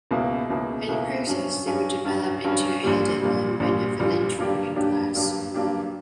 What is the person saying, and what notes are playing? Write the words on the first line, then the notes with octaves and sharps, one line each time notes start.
In the process they would develop into a hidden and benevolent "ruling" class.
C#2 B2 A#3 E4
C#2 B2 A#3 E4
C#2 B2 A#3 E4
G2 F#3 C#4 F#4
G2 F#3 C#4 F#4
G2 F#3 C#4 F#4
G2 F#3 C#4 F#4
A#1 A#2 G3
A#1 A#2 G3
A#1 A#2 G3
A#1 A#2 G3
G2 F#3 A#3 D4 G4
G2 F#3 A#3 D4 G4
G2 F#3 A#3 D4 G4
G2 F#3 A#3 D4 G4